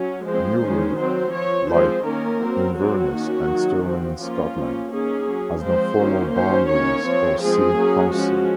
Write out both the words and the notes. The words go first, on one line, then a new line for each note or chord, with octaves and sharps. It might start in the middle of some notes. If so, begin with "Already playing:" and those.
Newry, like Inverness and Stirling in Scotland, has no formal boundaries or city council.
Already playing: F#3 C#4
F3 G#3 C4 C5
D#3 G#3 C#4
F#3 C4 C5
F3 C4 C#5
F3 G#3 C4 C5
D#3 A#3 C#4 A#4
F#3 C4
F#3 C4 F#4
D#3 A#3 C#4
D#3 F#3 A#3
C4
F3
F3 A#3 C#4 F4
F3 A#3 C#4
D#3 A#3 C#4 G#4
F#3 C#4
F3 G#3 C4 C5
D#3 F#3 A#3 C#4
D#3 F#3 C#4 C5
D#3 A#3 C#4 C#5
F3 C4
F3 G#3 C4 G#4
F#3 A#3 C#4
F3 G#3 C#4 F#4